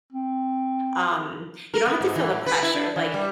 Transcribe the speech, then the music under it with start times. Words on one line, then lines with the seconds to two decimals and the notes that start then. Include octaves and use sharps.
um you don't have to feel the pressure. Like,
0.13 C4
1.74 A#4
1.87 B3
2.01 G#2
2.15 E3
2.33 A2
2.46 B4
2.63 E4
2.74 D4
2.96 E3
3.14 G3